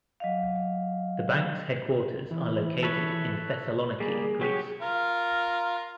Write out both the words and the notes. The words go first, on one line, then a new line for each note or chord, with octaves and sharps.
The bank's headquarters are located in Thessaloniki, Greece.
F#3 D#5 F5
E3
A4 B4 C#5
G3 A#3 G#4
F#3 G4 C#5
F4 A#4